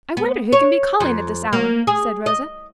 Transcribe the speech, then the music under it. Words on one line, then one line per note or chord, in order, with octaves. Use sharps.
"I wonder who can be calling at this hour," said Rosa.
B3
C#5
F2
A#3
G#4
D#5